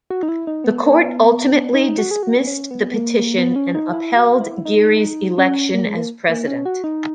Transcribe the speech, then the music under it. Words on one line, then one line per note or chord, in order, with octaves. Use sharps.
The Court ultimately dismissed the petition and upheld Giri's election as President.
F#4
D#4
E4
D#4
B3
A#3
B3
D#4
F#4
G#4
F#4
B3
C#4
B3
B3
A#3
A#3
B3
C#4
D#4
E4
F#4
E4
D#4
C#4
A#3
G#3
A#3
A#3
C#4
F#4
D#4